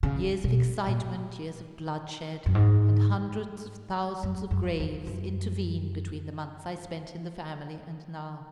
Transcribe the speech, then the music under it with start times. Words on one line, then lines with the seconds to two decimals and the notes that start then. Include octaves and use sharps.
Years of excitement, years of bloodshed, and hundreds of thousands of graves intervene between the months I spent in the family and now.
0.03 C#3
0.44 B2
0.87 A#2
2.46 F#2
2.55 G#2
4.23 F#2
4.51 F#2
4.80 E2
5.07 F#2